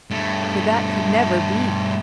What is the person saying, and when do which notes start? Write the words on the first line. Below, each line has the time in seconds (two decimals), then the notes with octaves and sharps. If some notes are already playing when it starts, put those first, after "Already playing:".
For that could never be.
0.11 G2 A3